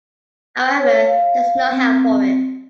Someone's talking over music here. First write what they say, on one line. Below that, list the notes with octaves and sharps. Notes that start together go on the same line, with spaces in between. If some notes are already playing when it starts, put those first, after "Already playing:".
However, there’s no help for it.
C#5
F5
C4